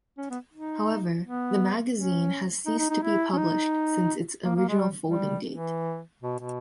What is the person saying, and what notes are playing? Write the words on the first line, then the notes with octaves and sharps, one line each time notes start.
However, the magazine has ceased to be published since its original folding date.
C#4
B3
D#4
B3
C#4
D#4
D#4
D#4
E4
C#4
D#4
A#3
A#3
G#3
G3
G3
E3
B2
B2